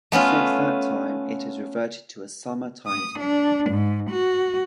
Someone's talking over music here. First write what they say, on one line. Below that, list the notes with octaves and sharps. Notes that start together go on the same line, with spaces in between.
Since that time it has reverted to a summer timetable.
A3 B3 C#4 F4
D#6
D4
G#2
F#4